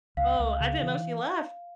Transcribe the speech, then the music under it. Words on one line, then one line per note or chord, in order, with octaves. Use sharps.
Oh, I didn't know she left.
C#2 F5
C#2
C#3
E3